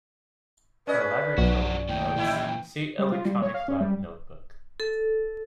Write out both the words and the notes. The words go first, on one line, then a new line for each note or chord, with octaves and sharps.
For laboratory notes, see Electronic lab notebook.
C#4 B4 D5 D#5
B1 F3 F#4
D#2 A2 G5
D#2 A#2 E3 E4
G3
F4
G3
C#5
F5
C#4
G3
A4